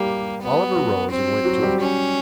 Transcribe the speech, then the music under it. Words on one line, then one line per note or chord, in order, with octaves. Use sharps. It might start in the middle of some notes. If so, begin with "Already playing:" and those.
Oliver rose and went to it.
Already playing: G3 A#3 G4
B3
F#3 F#4
C4
F#3 F#4
G3 G4
C#4